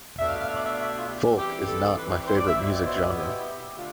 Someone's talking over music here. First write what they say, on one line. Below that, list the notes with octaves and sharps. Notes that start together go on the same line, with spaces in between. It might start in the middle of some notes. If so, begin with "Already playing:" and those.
Folk is not my favorite music genre.
B2 A3 D4 E5
F5
F5
E5
D5
E5
E5
F4
G4
E3 G3 C4 G4
A4
B4
C5
D5
E5
B2 B3 E4 D5
D5
C5
E5
D5
G4
D3 A3 D4 F4